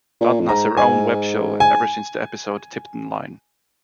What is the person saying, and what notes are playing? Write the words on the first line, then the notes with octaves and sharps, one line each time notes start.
London has her own web-show, ever since the episode Tiptonline.
A#2
F2
G#2 A#5
G#2 G#5
G#5